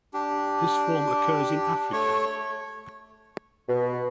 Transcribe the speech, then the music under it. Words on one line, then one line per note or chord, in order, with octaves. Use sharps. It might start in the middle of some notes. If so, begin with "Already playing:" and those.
This form occurs in Africa.
D4 G4
A3 C#5 C#6
B2